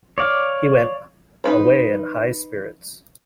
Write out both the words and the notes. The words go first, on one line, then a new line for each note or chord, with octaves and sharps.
He went away in high spirits.
C#5 D5 F5
D#4 B4 C5